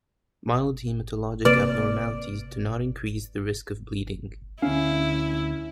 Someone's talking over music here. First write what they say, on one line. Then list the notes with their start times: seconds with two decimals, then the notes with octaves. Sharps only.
Mild hematologic abnormalities do not increase the risk of bleeding.
1.45 C3 A#3 B4 D5
4.62 D2 C#4 E4 F5